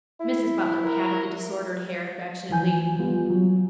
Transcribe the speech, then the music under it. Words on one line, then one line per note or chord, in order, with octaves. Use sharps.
Mrs. Butler patted the disordered hair affectionately.
E4
A#4
D2 E3 F3 G#5 G6
G3 B3 F4
F#3